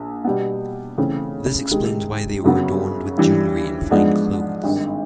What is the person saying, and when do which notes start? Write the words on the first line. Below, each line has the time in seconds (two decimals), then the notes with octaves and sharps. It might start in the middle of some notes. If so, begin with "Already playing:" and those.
This explains why they were adorned with jewelry and fine clothes.
Already playing: A#1
0.24 B2 G3 B3
0.98 C#3 E3 A3 C4
1.71 C3 D#3 G#3
2.44 F#2 C#3 F#3 B3
3.18 G2 E3 G3
3.91 G#2 F3 G#3 B3 D4
4.64 G#1 G2 D#3